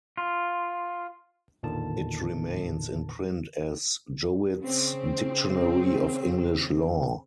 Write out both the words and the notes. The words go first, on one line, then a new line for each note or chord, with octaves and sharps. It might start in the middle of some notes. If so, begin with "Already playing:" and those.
It remains in print as "Jowitt's Dictionary of English Law".
F4
A1 E2 A#2 D3 D#3 A5
C#3 C4